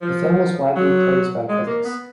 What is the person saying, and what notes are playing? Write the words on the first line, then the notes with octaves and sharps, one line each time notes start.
The film was widely praised by critics.
F3
F#3
G#3
A#3
B3